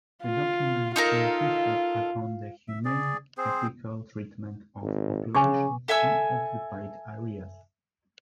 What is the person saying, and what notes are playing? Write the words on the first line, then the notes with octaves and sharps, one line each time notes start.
The document insisted upon the humane, ethical treatment of populations in occupied areas.
F4
D#4 F4 A4 A#4
E5
G#4 D5
C4 G#4 C5
G#1
C#3 G#5 C#6 D6
A4 E5 G#5 E6